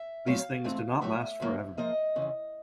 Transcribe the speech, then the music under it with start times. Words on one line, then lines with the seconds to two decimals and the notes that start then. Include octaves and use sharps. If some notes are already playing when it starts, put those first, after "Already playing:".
These things do not last forever.
Already playing: E5
0.26 A2 F#3 A3 C4 F5
0.64 G#2 E3 A3 C4
1.01 A#2 F#3 A3 E5
1.40 D2 D3 F#3 A#3
1.77 G#2 F3 A#3 D#5
2.16 F2 C#3 E3